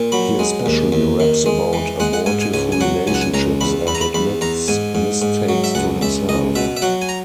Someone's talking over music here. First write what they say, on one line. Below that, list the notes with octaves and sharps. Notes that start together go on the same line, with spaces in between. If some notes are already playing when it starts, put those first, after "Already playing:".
He especially raps about abortive relationships and admits mistakes to himself.
Already playing: A#2
F#3 B5
G#3
D#2
D#2
D#3
G#3
E3
G#3 F#5
F#5
G#2 G#5
G#5
C#2 G#5
G#5
F#3 F#5
C#2 G#5
F#5
G#5
C#2 A#5
E2 B5
E2 B5
A#5
B5
E2 B5
E2 A#5
G#2 G#5
G#2
G#2
F#3
E5
C#2 F#5
C#2 E5
C#2 D#5
B2 E5
E5
F#3 F#5
G#5
A#5